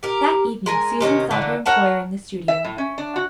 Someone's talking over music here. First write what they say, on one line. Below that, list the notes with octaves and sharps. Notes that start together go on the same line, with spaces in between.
That evening Susan sought her employer in the studio.
G4 A#4
G#3 A#4 G#5
C3 D#3 C#4
D3 E3 A3 A#3
A#4 C#5 F#5 A5
E5
A2
C#4
D4
F#4